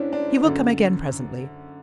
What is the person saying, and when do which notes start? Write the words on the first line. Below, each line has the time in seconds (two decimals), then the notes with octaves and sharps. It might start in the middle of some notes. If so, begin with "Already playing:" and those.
He will come again presently.
Already playing: G#2 C#4 D4 E4
0.13 D4
0.44 F#2 D3